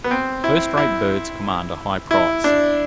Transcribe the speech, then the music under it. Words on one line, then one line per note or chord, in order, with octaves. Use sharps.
First-rate birds command a high price.
B3
C4
E4
E4
E4
D4